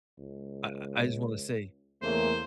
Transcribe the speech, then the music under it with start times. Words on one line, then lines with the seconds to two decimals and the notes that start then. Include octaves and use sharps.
I I I just wanna say,
0.18 C#2
2.02 E2 C#3 A3 A#3 C5